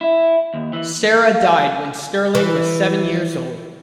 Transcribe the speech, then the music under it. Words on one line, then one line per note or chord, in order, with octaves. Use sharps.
Sarah died when Sterling was seven years old.
E4
D#2
E3
F4
E3